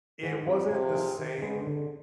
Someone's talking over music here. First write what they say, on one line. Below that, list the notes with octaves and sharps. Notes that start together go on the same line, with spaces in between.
it wasn't the same,
G#2 D#3
G3 C4
C3 F3
C4 F4 G#4
D#3
G#3 B3
D3